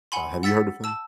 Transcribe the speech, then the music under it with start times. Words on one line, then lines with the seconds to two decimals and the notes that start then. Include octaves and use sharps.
Uh, have you heard of him?
0.12 F#5 G#5 B5 C6
0.43 F#5 E6 A6 B6 C#7
0.84 A5 E6